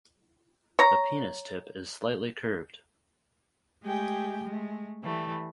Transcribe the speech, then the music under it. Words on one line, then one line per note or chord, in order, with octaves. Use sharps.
The penis tip is slightly curved.
C#5 A#5
G#3 A3 G4 G#4 G5
G#3 A3
E3 G3 A3